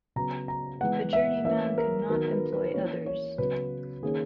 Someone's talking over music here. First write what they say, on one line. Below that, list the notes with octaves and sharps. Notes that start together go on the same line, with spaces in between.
A journeyman could not employ others.
C#3 F#3 B3 A#5
A#5
E3 G#3 B3 F#5
E5
E3 A#3 C#4 E5
A#4
D#3 F#3 B3 A#4
B4
B4
E3 A#3 C#4 C#5
C#5
C#3 F#3 B3 B4
D#3 A#3 C#4 G#4